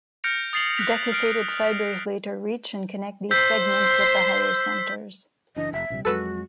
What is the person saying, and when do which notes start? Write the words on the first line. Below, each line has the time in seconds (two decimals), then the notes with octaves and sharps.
Decussated fibers later reach and connect these segments with the higher centers.
0.24 F6 G6 A#6 C#7 D7 F7
0.53 D#6 A6 C7 F7 F#7
0.77 F#6 G6 A#6 B6 C#7 F7
1.12 F6 D7
3.31 C5 C6 E6 G6 B6
5.56 F#1 E3 D4 D#5
5.73 F1 E5
5.90 A#1 C3 G3
6.05 F2 F#3 G#3 F#4 A4 B4 E6